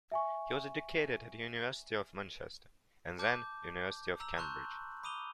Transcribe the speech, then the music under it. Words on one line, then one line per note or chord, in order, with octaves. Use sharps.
He was educated at University of Manchester, and then University of Cambridge.
E5 G#5 C#6
A5 D6 G6
A#5 E6 F#7
A5 A#5 C6 C#6 F#6 G6
B5 D6 D#6 D#7 F7 G7